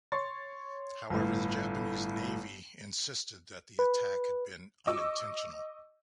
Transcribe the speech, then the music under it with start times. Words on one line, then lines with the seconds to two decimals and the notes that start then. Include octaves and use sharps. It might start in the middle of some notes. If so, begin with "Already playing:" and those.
However, the Japanese navy insisted that the attack had been unintentional.
0.12 C#5 C6 C#6 A6
1.10 G1 A2
3.79 B4
4.87 D#5 C#6 D6 E6